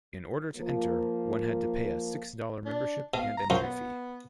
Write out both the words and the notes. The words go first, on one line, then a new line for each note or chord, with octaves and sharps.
In order to enter, one had to pay a six-dollar membership and entry fee.
F3 A#3
D4
B2 F5
A#5
F#2 F4 F#4 C5
B3